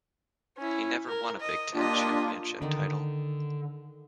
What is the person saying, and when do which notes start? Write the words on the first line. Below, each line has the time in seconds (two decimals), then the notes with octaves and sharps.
He never won a Big Ten championship title.
0.57 C#4 E4
1.08 A#4
1.40 D#5
1.75 A#3 D4 F4 G4 D#5
2.62 D3 D#3 D#4 D5